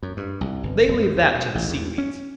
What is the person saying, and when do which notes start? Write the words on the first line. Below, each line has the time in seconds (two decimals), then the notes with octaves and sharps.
They leave that to the seaweeds.
0.03 F#2
0.17 G2
0.41 C2
0.63 G1
0.88 D1
1.02 G#2
1.16 D#2
1.35 B2
1.55 A1
1.69 E2
1.98 C#4